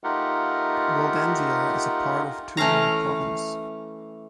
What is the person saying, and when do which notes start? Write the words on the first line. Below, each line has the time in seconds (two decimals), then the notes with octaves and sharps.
Waldensia is a part of Turin province.
0.04 A3 D#4 F4 G4 A#4 F#5
2.57 E3 A3 C#4 F5 A#5